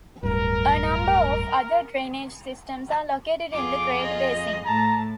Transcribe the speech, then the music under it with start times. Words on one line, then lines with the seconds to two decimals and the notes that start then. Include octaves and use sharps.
A number of other drainage systems are located in the Great Basin.
0.23 D1 G2 A#4
3.52 F2 F4 G#4 D6
4.02 D#5
4.66 A2 A5 A#5